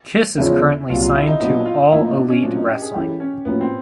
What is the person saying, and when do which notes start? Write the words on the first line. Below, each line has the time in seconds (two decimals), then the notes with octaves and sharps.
Kiss is currently signed to All Elite Wrestling.
0.38 E2 C#3 F3 G#3 C#4 E4
0.90 C2 A#2 F#3 F4
1.02 F4
1.15 E4
1.27 D#4
1.40 A#2 F#3 B3 D4 D#4 F#4
1.66 F4
1.92 A2 F3 A#3 E4
2.04 D#4
2.17 D4
2.30 C#4
2.43 A#2 F#3 A3 C4 D4 F4
2.56 D#4
2.68 G4
2.82 G#4
2.94 E3 G#3 C#4 E4 G4 A4
3.20 C#4
3.45 A2 F3 A#3 B3 C#4 F#4
3.61 C4